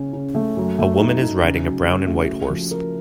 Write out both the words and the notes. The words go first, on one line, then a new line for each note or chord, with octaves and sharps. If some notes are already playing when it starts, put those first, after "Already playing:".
A woman is riding a brown and white horse.
Already playing: C#3 C#4
C#3
A3
F#2
A3
D#4
D#4
C#3
F#3
C#3
A3
F#4
F3
A#4